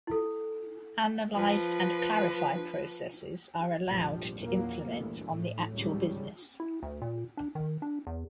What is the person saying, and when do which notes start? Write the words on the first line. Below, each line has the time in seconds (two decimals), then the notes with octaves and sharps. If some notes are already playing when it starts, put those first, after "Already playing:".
Analysed and clarified processes are allowed to implement on the actual business.
0.07 E4 A4
1.35 F3 B4
3.85 F1 A#1 G#2 F3 G3
4.36 E2 A#2 F#3 A#3
4.89 G1 D2 E3
5.23 A2 A3
5.71 G#1 C#2 C#3 G3
6.60 E4
6.83 D2
7.02 A#2
7.37 D4
7.55 D#3
7.82 D4
8.07 E2